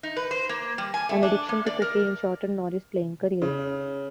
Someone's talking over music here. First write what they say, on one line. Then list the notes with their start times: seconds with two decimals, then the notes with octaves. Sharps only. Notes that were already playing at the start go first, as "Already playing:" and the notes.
An addiction to cocaine shortened Norris's playing career.
0.03 D#4
0.17 B4
0.31 C5
0.49 A#3
0.78 G3
0.94 G#5
1.09 A3
1.23 D4
1.49 A#3
1.66 D5
1.82 A#4
3.42 C#3